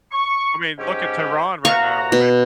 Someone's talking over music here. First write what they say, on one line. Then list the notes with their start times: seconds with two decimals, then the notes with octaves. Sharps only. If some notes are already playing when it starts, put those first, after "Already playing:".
I mean, look at Tehran right now when they
0.12 C#6
0.79 G#2 C#4 G4
1.65 C2 F#4 F5 A#5 C#6
2.12 B2